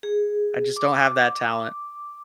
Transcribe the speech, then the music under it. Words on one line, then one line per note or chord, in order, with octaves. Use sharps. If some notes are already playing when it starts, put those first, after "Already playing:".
I just don't have that talent.
G#4
D6